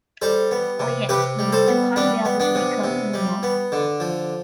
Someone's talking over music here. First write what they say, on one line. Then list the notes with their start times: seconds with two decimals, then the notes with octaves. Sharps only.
Oh, yes! — he was to come there with Wickham, you know.
0.22 G3 A4 C5
0.51 B3
0.79 C3
1.09 C3 G4 B4
1.39 G3
1.52 A4 C5
1.67 B3
1.96 G3 B3 D4
2.25 B3
2.40 B3 D4
2.55 C3
2.84 C3
3.14 G3
3.43 B3
3.72 D3
4.00 F3